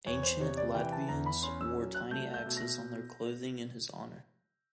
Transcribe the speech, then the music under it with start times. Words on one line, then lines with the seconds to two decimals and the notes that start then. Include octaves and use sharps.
Ancient Latvians wore tiny axes on their clothing in his honor.
0.06 E2 C#5
0.23 C5
0.40 C3 C#5
0.57 D5
0.74 E3 G5
0.92 A5
1.08 E2 A#5
1.26 B5
1.43 C#4 C6
1.61 E6
1.78 F#3
1.95 F#6
2.11 A3 G6
2.34 G6
2.46 B2
2.57 A#6